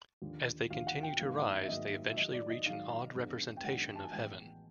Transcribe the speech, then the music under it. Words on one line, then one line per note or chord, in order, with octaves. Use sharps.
As they continue to rise, they eventually reach an odd representation of heaven.
D#2 D3 F3
D#2 D3 F3 F5
F#5
G5
G#1 G#2 D#3 F#3 A#3 F5
E5
G#1 G#2 D#3 F#3 A#3 D#5
E5
G#2 D#3 F#3 D#5
D5
D#5
G#2 D#3 F#3 F5
F#2 D#3 G#3 B3 D4
G5
F#2 D#3 G#3 B3 D4 F#5
A5
G#5
A1 A2 E3 G#3 B3 G5